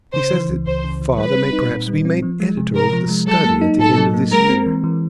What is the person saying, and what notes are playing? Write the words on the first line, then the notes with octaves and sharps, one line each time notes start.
He says that father may perhaps be made editor of The Study at the end of this year.'
C#3 C5
E3
C#2
C#2 C5
C#3
E3
G3 B4
C4
D#4
A#2
G3
C4
F3
G#3
C3
C3 A#4
F3
G#3
F#3 A4
A#3
D#4
A2 A4
F#3
A#3
G#3 A#4
C4
E3
E3